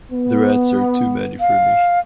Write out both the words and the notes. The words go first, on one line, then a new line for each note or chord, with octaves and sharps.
The rats are too many for me.
B3
F5